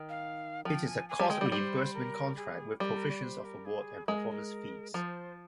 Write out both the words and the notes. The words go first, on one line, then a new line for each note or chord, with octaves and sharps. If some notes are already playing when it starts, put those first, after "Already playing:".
It is a cost reimbursement contract, with provisions for award and performance fees.
Already playing: D#3
F5
F3 G5
G#5
G#5
G3
G#3 G5
G3
D5
G3 C5
A#4
G#4
G3 A#4
A#4
D5
C5
A#4
G#4
G#3 A#4
A#4
F3 C5